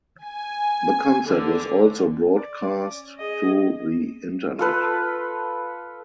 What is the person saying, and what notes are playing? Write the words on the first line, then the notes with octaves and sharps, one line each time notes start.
The concert was also broadcast through the Internet.
G#5
D3
D5
C#4
G#4 D#5
F4 A4 B4